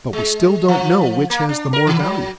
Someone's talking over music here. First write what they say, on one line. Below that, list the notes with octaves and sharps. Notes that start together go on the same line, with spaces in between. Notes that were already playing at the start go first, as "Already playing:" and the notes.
But we still don't know which has the more value.
G#3
F3
A#3
D4
A#4
D#3
F#3